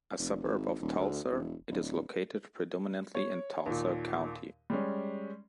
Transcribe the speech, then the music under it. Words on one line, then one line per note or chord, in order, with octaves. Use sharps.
A suburb of Tulsa, it is located predominantly in Tulsa County.
F1
G#1
D#1
D2
E1
D1
C#5
D#2 A#2
G3 G#3 C#4